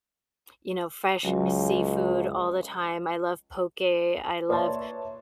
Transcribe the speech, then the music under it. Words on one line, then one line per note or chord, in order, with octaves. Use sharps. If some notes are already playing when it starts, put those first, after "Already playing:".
you know, fresh seafood all the time. I love poke, I love,
C#2 F#3 F#4
B4 C#5 D5 E5 A5 C6